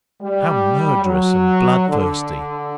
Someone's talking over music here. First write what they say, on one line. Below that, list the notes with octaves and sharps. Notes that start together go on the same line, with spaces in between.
"How murderous and bloodthirsty!"
G3
F#3
D3